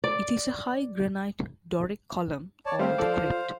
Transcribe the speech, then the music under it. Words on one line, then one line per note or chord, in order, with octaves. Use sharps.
It is a high granite Doric column over the crypt.
D5
C#5 D5 A5
G3 A3 C4 C5 F5
F3 A4 D5